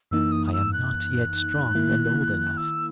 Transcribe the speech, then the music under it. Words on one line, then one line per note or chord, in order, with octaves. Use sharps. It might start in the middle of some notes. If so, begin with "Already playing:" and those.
I am not yet strong and old enough.
F#2 E3 A#3 D#4 E6
D#6
D#6
E6
F#6
D#3 A#3 E4
E6